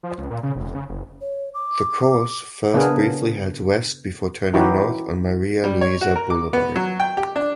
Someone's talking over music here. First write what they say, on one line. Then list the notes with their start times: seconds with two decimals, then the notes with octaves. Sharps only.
The course first briefly heads west before turning north on Maria Luiza Boulevard.
0.03 F3
0.18 C#2
0.30 A#2
0.43 C#3
0.56 F1
0.75 C#3
0.89 F#1
1.21 C#5
1.54 D6
2.74 C#3 B3 D4 G#4 A#4
4.54 E3 C#4 D#4 E4 F#4 G4
5.64 G3
5.81 C#5
6.01 F#4
6.16 A#4
6.30 D6
6.53 B3
6.76 F#3
7.00 G5
7.17 G4
7.36 D4